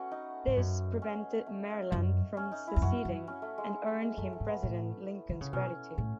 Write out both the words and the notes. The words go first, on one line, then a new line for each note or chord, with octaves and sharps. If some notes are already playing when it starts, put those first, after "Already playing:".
This prevented Maryland from seceding, and earned him President Lincoln's gratitude.
Already playing: A3 B3 C#4 F#4
D#4
G#2
F#2
C#4
A3
F#2
C#4
D#4
E4
E2
F#2 F#4
F#2
C#4
A3
G#3
A3
G#3
F#2 A3
A3
G#2
B3
A2
D#3
C#3
B2 C#4
A2